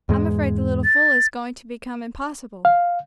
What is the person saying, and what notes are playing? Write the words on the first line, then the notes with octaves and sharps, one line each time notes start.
I'm afraid the little fool is going to become impossible.
E2 G#2 G#3
A6
F5